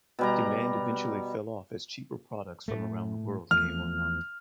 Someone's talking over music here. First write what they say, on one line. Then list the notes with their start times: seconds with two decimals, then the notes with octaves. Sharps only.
Demand eventually fell off as cheaper products from around the world came online.
0.19 B2 G3 A#5
2.68 A2 A3
3.51 E2 F3 A3 F6